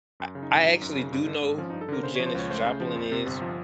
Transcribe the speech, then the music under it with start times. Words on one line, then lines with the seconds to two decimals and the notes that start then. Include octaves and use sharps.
I I actually do know who Janice Joplin is.
0.20 F#2
0.35 C#3
0.43 D#4
0.50 G#1
0.66 F#3
0.81 F#2
0.96 C#3
1.12 G2
1.27 D3
1.42 G#1
1.57 F3 C#4
1.70 G2 D#4
1.81 A4
1.89 D3 A#4
2.03 C#3 C5
2.15 F3 C#5
2.27 C5
2.35 C#2 C#5
2.51 A3 C5
2.65 C#3
2.80 F3
2.96 F2
3.12 C3
3.27 G1
3.42 F3